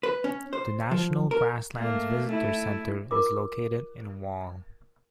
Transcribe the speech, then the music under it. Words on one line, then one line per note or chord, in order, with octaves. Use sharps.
The National Grasslands Visitor Center is located in Wall.
B4
C#4
C5
F3
A#4
A3 A#3
A3 E4
F4 A#4 D6